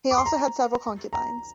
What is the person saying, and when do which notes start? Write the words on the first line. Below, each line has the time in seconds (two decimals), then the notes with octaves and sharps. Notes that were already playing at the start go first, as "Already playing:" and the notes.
He also had several concubines.
0.11 D6
0.18 C6
0.26 A#5
1.13 A#5